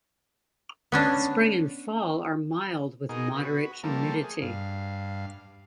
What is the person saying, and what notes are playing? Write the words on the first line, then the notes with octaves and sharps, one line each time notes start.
Spring and fall are mild with moderate humidity.
B3 C#4 D4
B2 D#4 G#4 A#4
F#4 B4
F3 G3 A3 A#3 A4 A#4
G#4
G2 F5